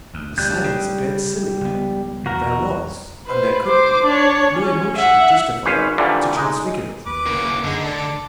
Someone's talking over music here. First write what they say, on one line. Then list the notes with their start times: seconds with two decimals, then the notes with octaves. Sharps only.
The silence appeared silly; there was, and there could be, no emotion to justify, to transfigure it.
0.14 D2
0.38 D2 G3 F#6 G6
0.64 C#3
1.61 C#2 B3
2.26 E2 F#4 A#4
3.26 B4 C5
3.66 C5 D6
4.05 D4 C#5
4.55 C#4
4.95 E5 F#5
5.65 G#1 C#4 B4 C5 F5
5.98 A#2 D3 E3 F3 G3 A3
6.37 G#3 D#4
7.06 D#2 B4 D6
7.26 C#3 A#3
7.64 F#2 D3 D#4 G#4 A#4
7.84 F1 A4 D5